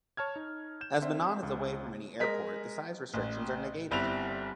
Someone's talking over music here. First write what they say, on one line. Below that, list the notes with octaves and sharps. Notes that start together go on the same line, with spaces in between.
As Menan is away from any airport, the size restrictions are negated.
C#5 A5 F6 G#6
D#4
G6 E7
C4 C5 E5
C#2
G#3 A#4 B6
A1
G1 G3 C4 E4 F#6 F7